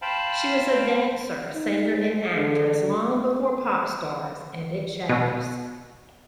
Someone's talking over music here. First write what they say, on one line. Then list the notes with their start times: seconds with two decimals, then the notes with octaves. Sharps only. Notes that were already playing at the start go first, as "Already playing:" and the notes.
She was a dancer, singer and actress long before Popstars, and it shows.
0.02 C5 F5 G5 A5 B5
1.55 D#4
1.89 G#3
2.36 D3
5.09 B2